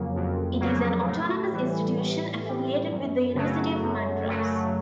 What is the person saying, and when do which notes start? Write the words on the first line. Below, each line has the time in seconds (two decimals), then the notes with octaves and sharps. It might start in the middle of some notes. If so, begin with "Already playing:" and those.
It is an autonomous institution affiliated with the University of Madras.
Already playing: F2 C#3 F#3 A#3
0.15 F2
0.60 C#3 F#3 A#3
1.06 A2
1.52 E3 G3
1.98 A2
2.44 E3 G3
2.90 F#2
3.35 C#3 F#3 A3
3.82 F#2
4.28 C#3 F#3 A3